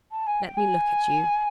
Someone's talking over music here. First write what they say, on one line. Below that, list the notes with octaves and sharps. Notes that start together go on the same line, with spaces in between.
Let me look at you.
A5
G#5
G5
G#5